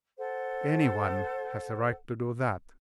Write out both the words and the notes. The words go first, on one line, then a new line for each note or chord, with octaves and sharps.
Any one has a right to do that.
A4 C5 F#5